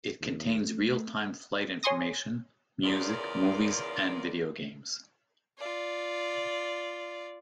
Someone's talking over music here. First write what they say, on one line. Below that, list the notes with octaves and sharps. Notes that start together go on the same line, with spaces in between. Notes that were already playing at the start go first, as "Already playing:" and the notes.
It contains real-time flight information, music, movies and video games.
D#2
A3
C#5 G#5 C6 C#6 D#6 A#6
E2 C#3 F4 A#4 D5
F4 D5